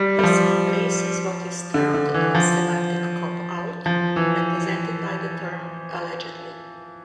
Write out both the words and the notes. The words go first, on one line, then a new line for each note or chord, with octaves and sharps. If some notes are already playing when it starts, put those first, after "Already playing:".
This embraces what is termed a "semantic cop-out", represented by the term "allegedly".
Already playing: G3
G3
F3
D3
D3
E3
F3
F3
E3